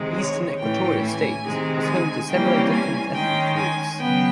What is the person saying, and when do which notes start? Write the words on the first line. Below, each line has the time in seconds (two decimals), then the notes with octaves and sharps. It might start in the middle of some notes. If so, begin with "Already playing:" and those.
Eastern Equatoria state was home to several different ethnic groups.
Already playing: C3 D#3 G#3
0.16 C#5
0.58 A2 E3 A3 C#4 G5
1.02 G#5
1.45 C3 D#3 G#3
1.86 G#5
2.29 C3 E3 G3 A#3 C#4 G5
2.71 G#5
3.14 D#3 G#3 C#4 G5
3.57 G#5
3.99 C#3 F#3 B3 G5